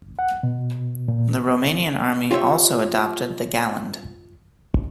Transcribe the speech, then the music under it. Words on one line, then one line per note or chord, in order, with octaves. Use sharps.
The Romanian Army also adopted the Galand.
F#5
B2
A#2
F4 G4 C5 C#5 E5